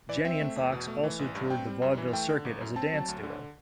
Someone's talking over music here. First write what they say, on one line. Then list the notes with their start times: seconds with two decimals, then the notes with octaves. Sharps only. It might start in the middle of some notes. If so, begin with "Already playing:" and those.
Jenny and Fox also toured the vaudeville circuit as a dance duo.
0.09 E3 D5
0.25 C4 E5
0.40 A3
0.56 E2
0.72 B2
0.87 A3
1.04 E3
1.19 A1
1.35 G2
1.50 C4 G5
1.67 G3
1.82 F#2
1.97 E3
2.13 A3 G5
2.29 D3
2.45 G1
2.61 F#2
2.76 C4 A5
2.92 F#3
3.08 D2
3.23 D3